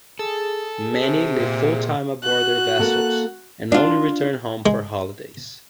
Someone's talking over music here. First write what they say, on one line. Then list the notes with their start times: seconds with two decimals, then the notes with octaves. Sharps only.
Many live full-time aboard their vessels and only return home for holidays.
0.19 G#4 A4
1.02 C3
1.40 A#2
2.23 F#4 F#6
2.79 A#3 A4 F#5
3.72 D4 F4
4.66 G#3